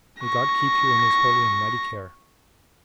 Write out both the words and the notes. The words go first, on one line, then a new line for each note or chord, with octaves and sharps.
May God keep you in His holy and mighty care.
C#6 A#6